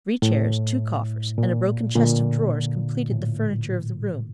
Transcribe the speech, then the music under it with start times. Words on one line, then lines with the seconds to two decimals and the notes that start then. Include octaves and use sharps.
Three chairs, two coffers, and a broken chest of drawers completed the furniture of the room.
0.22 A2
1.38 A#2
1.95 A#2 D3
3.11 A2